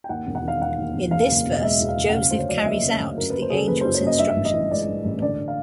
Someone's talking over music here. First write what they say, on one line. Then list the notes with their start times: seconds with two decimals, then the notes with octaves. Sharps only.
In this verse Joseph carries out the angel's instructions.
0.04 G5
0.09 D#2 F#5
0.26 E1
0.35 F#5
0.43 D#3 F5
0.61 E1 F#5
0.77 D#2
0.94 E1
1.11 E2 F5
1.29 F#1
1.46 B2
1.52 D#5
1.62 G#3 E5
1.80 E2
1.88 F5
1.97 F#1
2.09 F#5
2.14 C#3 F5
2.31 D2 C5
2.39 C#5
2.48 F#3 D5
2.57 D#5
2.66 A#3 E5
2.83 C#3
3.00 D2
3.18 F#2 A#4
3.30 F#1 B4
3.42 C5
3.50 C#3 G#4 A4
3.68 F#1 B4
3.81 F#2 C5
3.94 C#5
4.03 F#1 D#5
4.19 G2 E5
4.36 A1
4.45 D#5
4.53 E3
4.71 G#3 D5
4.88 G2
5.04 A1
5.22 D3 D5
5.48 F5